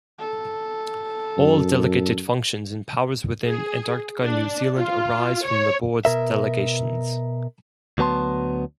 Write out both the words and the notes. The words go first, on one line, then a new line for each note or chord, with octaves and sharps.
All delegated functions and powers within Antarctica New Zealand arise from the Board's delegations.
A4
F#2
G#4
D4
F4
C#5
B2 A#4 E5
D2 F#3 B3 A5 C6